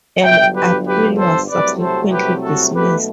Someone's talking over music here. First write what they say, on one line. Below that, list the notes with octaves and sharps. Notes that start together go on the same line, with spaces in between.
An appeal was subsequently dismissed.
G1 G2 F#3 E5 G5
G4 B4
G4 B4
A4 C5
C2 C3 F#3 A3 B4 D5
A4 C5
G4 B4
F#4 A4
B1 B2 A3 G4 B4